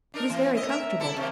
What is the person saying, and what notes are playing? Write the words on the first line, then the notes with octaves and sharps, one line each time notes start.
It was very comfortable.
D4 D#4 A#4
E3
E4 D#5
A#4 D#5 E5
B2 E4 A4
C3 D#3 A#3